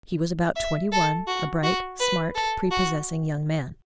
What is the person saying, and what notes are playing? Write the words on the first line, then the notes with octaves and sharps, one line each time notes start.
He was about twenty-one, a bright, smart, prepossessing young man.
E5
A4
F#4
F#4
B4
A4
F#4